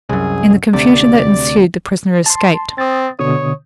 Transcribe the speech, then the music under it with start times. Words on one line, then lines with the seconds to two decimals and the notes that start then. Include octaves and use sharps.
In the confusion that ensued the prisoner escaped.
0.09 C2 F#2 G#4
0.73 D2 C3 D5
2.26 A5 C6
2.78 C4 D#6 A6
3.19 B2 D3 C#5 D#6